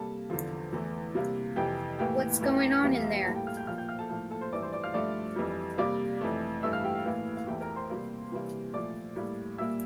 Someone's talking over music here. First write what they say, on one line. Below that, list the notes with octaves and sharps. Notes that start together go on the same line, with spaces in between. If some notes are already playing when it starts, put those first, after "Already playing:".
What's going on in there?
Already playing: C3 G3 A#3 A4 A5
E2 D3 F3
E2 E3 A3
C3 G3 A#3
F2 C3 E3 G4 G5
A2 E3 A#3 G4 G5
E2 E3 A3
E2 E3 G3 A#3 G4 G5
F5
E5
G4 G5
A2 G3 A#3 A4 A5
G4 G5
F5 F6
G5 G6
A#2 F3 A#3 F5 F6
G5 G6
F5 F6
A4 A5
A2 F3 A#3 A4 A5
A4 A5
C5 C6
G2 E3 A3 D5 D6
C5 C6
D5 D6
F5 F6
G2 F3 A3 D5 D6
F2 E3 G3
C3 G3 A#3 D5 D6
F2 E3 A3
G2 E3 A3 E5 E6
F5 F6
G4 G5
F5
A2 E3 A#3
F5
E2 E3 A3 G4 G5
A#4 A#5
C5 C6
C3 G3 A#3
C3 E3 G3 A#3
A#2 F3 A3 D5 D6
A2 G3 A#3
A#2 G3 A#3 E5 E6